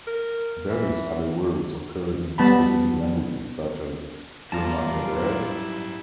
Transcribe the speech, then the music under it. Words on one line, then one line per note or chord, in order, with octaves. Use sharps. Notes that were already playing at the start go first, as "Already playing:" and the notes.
Various other words occur in specific languages, such as German oder?
A#4
E3
G3 B3 A5 B5
F#2 G3 F4 D5 A5 A#5
E4